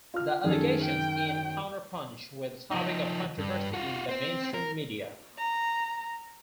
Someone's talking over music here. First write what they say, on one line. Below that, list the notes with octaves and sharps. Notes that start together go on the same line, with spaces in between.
The allegations in "CounterPunch" were the topic of controversy in the mainstream media.
F4 F6
F#2 D#3 G#4 A4
G5
F3 D#4
G2
F4 F#4
C4 C5
A#4
A#5